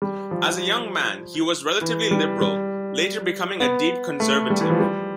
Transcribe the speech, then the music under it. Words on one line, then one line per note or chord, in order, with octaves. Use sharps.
As a young man he was relatively liberal, later becoming a deep conservative.
G3
F3
E3
G3
G3
B3
A3
G3
E3
F3
G3